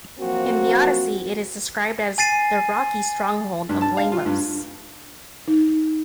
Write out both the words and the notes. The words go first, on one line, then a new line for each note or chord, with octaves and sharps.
In the "Odyssey", it is described as the rocky stronghold of Lamos.
F3 F#3 A#3 C4 F#4
G#5 A6 C7 D#7
G2
A5
F5
F4
G2
D#4